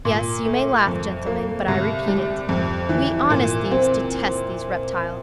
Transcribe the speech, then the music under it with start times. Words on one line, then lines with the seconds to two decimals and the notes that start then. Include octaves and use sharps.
Yes, you may laugh, gentlemen, but I repeat it: we honest thieves detest these reptiles.
0.05 A#2
0.45 A3
0.87 F2
1.26 A#3
1.68 C2
2.08 G3
2.49 F2
2.89 E3
3.30 A#2
3.71 C4